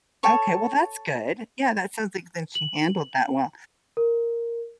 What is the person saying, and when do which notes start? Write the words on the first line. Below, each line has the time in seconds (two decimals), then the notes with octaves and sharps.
Okay, well, that's good. Yeah, that sounds like that she handled that well,
0.23 A4 C#5 C#6
2.55 F#7
3.97 A#4